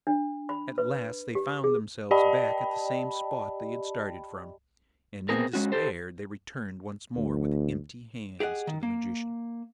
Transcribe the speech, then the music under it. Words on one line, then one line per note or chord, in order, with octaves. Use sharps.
At last they found themselves back at the same spot they had started from, and in despair they returned once more with empty hands to the Magician.
D4
B5
B4
G4
G#4
G4 D5 D#5 G5 A5 B5
B3 C4 G#4 A#4
G#3 C#4 F#4
G4 A4 C5
D2
G4 G#4 D#5 F#5
D#3
A#3